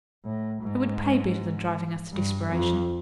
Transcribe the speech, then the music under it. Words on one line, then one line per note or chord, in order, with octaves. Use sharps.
It would pay better than driving us to desperation.
A2
G#2
G2
F2